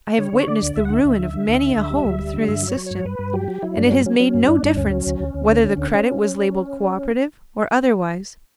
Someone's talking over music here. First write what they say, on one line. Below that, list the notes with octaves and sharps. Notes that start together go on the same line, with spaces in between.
I have witnessed the ruin of many a home through the system, and it has made no difference whether the credit was labelled co-operative or otherwise.
D3 C#5
D3
D3 D5
D2
D2 E5
F#5
D3 E5
D2
D3
D3
D2
D3
D2
G3
D2
G3
D3
G2 E5
F#3
C#5
F#3
G2 C#5
G2 B4
G2
F#3 G4
F#3
F#3 E4
G2 D4
F#3 C#4
F#3 C#4
F#3 C#4
G2
G2 D4
G2 D4
D2 C#4
F#3
D2
D2
D2
D3
D3
D2
C#4